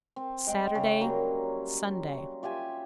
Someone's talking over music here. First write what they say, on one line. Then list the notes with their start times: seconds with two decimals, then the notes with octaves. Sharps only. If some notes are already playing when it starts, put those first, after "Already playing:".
Saturday, Sunday.
0.16 C4
0.47 G#3 G5 C6
0.74 C#3 C#4 C5 G5
1.01 F#3 G3 A#3
2.43 F4 G4 E5 G#5